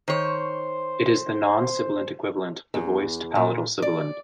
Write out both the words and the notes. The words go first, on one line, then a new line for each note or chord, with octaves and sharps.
It is the non-sibilant equivalent of the voiced palatal sibilant.
D#3 C5 C#5
E2
A#2
D5